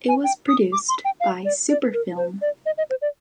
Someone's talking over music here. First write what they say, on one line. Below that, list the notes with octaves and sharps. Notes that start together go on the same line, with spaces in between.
It was produced by Super-Film.
G#5
G5
D#6
D6
C6
G5
F5
D5
D5
A#4
C5
D5
D#5
D#5
C5
D5